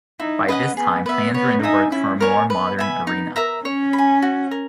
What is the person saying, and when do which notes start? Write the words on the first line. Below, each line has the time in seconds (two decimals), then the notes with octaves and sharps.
By this time, plans were in the works for a more modern arena.
0.20 D#4 E4
0.48 C#4 B4 D#5 F#5
0.77 B3 G#4
1.06 B3 B4 E5
1.34 B3 C#5
1.63 D#4 E5 G#5 D#6
1.91 C#4 E4
2.20 B3 A#4 C#5 G#5
2.49 B3 B4
2.79 E5 G#5 B5
3.07 D#4
3.36 A#4 E5 A#5
3.65 C#4 C#5
3.93 B5
3.98 G#5
4.22 F#4
4.51 A#4